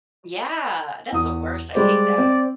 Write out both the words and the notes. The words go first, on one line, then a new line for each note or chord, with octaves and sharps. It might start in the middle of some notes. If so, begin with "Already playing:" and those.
Yeah. That's the worst, I hate that.
E2 D#6
G3 G#3 C5 D5
C4